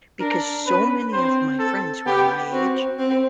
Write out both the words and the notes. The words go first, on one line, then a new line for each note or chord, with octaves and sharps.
because so many of my friends who are my age
D4 A#4
C#4 B4
C4 C5
A4
B3 G4
C4 F#4
C4